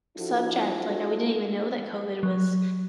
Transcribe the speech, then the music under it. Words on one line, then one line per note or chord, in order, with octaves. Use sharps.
subject, like, we didn't even know that COVID was
F3 D4 E4 F#4 A4
F#3